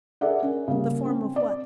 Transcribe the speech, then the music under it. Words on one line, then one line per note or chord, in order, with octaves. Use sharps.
The form of what?
G#4 A#4 D5 E5 F#5
C#4
C#3 G3 A#3
C4 C#4
D5